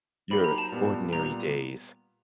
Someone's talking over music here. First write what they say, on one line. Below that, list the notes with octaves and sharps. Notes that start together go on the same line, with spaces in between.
your ordinary days
F#3 A#3 D#4 G4 C5 B5
A#5
A5
A#2 G3 B3
A#2 G3 B3 A#5